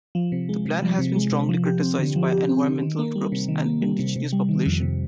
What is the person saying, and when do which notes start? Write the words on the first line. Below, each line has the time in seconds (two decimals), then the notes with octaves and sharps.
The plan has been strongly criticized by environmental groups and indigenous populations.
0.15 F3
0.32 C3
0.49 G#3
0.65 C3
0.82 F3
0.99 C3
1.16 G#3
1.32 C3
1.49 F3
1.65 G4
1.82 C4
1.99 D3
2.16 F3
2.32 G4
2.49 C4
2.65 D3
2.82 D#3
2.99 A#3
3.15 G3
3.32 C3
3.48 D#3
3.66 A#3
3.82 G3
3.99 C3
4.16 C3
4.33 G3
4.49 D#3
4.66 F2
4.82 C3